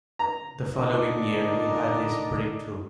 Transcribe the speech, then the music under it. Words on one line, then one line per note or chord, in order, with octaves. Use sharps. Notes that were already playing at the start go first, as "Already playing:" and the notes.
The following year he had his breakthrough.
A#5
D3 D#4 A#4 D5 D#5